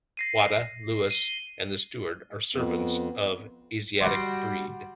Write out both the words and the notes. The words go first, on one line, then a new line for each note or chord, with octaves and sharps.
Wada, Louis, and the steward are servants of Asiatic breed.
A#6 C7 D#7
D#7 G7
F2 B3
G3 F#4 G4 C6